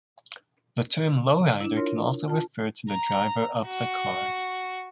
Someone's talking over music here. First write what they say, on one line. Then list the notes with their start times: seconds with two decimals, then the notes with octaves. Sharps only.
The term "lowrider" can also refer to the driver of the car.
1.61 D4 E4
1.76 F4 A#4 C#5 C6
2.28 F4 A5
2.90 A#5
3.65 F#4